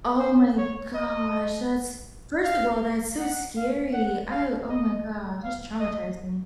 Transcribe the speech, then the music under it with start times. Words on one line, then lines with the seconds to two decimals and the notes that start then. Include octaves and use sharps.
Oh my gosh. That's first of all, that's so scary. Oh oh my god. That's traumatizing me.
0.20 C5
0.58 C#5
0.94 D#5
2.44 F5
3.19 F#5
3.57 F5
3.93 F#5
4.31 F5
4.69 D#5
5.43 F5
5.80 D#5